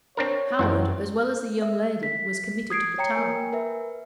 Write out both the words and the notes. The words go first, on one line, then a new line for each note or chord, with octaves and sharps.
Howard, as well as the young lady, was committed to the Tower.
C4 D4 A#4 C#5
F#2 E3 C5 F#5 G5
E5
B6
D#6 G#6 C7 D7
C#5 G5 A#5 C#7
A#3 A#4 G#5
A#4 B4 E5